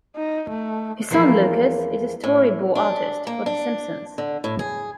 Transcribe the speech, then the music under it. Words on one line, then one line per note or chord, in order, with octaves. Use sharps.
His son, Lucas, is a storyboard artist for The Simpsons.
D#4
A3
E2 E3 F3 A#3 B5
A2
D4
A#3
D4
D3
A2
G#4